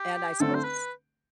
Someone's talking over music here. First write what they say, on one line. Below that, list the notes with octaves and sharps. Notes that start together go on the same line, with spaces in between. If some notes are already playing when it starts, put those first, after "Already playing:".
and I suppose
Already playing: G4
D3 A3 C4 A4
C5
B4